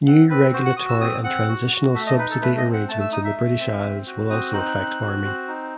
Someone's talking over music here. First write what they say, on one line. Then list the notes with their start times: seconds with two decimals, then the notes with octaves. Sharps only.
New regulatory and transitional subsidy arrangements in the British Isles will also affect farming.
0.07 C4 F#5
0.30 C4 B4
0.54 F#4 C5
0.66 F#5
0.77 F#4 D#6
0.89 E6
1.01 C4 D#6
1.24 C4 F#5
1.48 F#4
1.72 F#4
1.94 A3 E5
2.06 D#5
2.18 D#4 B4
2.30 A4
2.42 A3 B4
2.58 D#5
2.65 C4
2.73 F#5
2.89 A3 A5
3.01 E6
3.12 D#4 D#6
3.25 E5
3.36 A3
3.60 C4
3.83 C4
4.07 F#4
4.30 C4 D#6
4.53 D#4 F#6
4.77 C4
5.01 F#4
5.25 C4
5.48 D#4